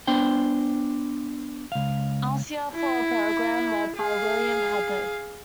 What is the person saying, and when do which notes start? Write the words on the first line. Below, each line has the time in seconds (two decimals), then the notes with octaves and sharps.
Elicer for a program led by William Hubbard.
0.07 B3 D4 C5 G5
1.72 C#2 F5
2.75 E4
3.96 G#4 F5